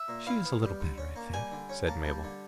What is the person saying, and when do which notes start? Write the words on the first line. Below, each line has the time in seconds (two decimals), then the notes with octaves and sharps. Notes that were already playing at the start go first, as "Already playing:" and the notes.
"She is a little better, I think," said Mabel.
Already playing: E5
0.08 A#2
0.27 E4 F5
0.44 B3
0.62 G3
0.80 D3
0.98 C#4
1.16 A#3
1.33 G3 G#5
1.52 D3
1.69 C#4
1.87 A#3 A5
2.05 G3
2.23 D3